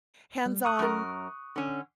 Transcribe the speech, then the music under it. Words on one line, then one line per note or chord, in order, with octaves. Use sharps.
Hands on,
G3
C#6 D#6 F#6
F#2 A#4
D3 C#4